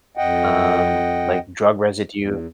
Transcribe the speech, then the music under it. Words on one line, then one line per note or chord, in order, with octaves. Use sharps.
um, like drug residue.
F2 D#5 F#5 G5
E2